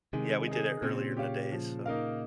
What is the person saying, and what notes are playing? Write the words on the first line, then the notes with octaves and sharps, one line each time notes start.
Yeah, we did it earlier in the day, so.
C3 D#3 G#3
D#4 G#4
A#2 C#3 C4
G4 C#5 F5
F3
A#3 D#4 A#4 F5